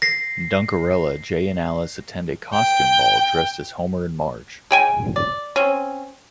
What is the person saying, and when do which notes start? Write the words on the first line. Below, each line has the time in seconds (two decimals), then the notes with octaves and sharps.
In "Dukerella," Jay and Alice attend a costume ball dressed as Homer and Marge.
0.02 A#6 C7
2.53 G5
4.71 G#3 G5 G#5
5.16 D5
5.56 C4 C#4